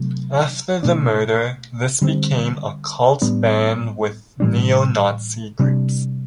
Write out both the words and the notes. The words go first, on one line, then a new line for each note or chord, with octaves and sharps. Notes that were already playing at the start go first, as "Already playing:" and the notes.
After the murder, this became a cult band with Neo-Nazi groups.
Already playing: C3 F#3 A3
B2 A3 D4
D3 G3 C4
A2 G3 B3 D4
A2 E3 G3 D4
C3 G3 D4